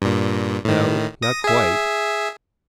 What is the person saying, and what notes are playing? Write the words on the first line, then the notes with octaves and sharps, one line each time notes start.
"No; not quite."
G2 A#2
A2 D#3
D#6 A#6
G#4 E5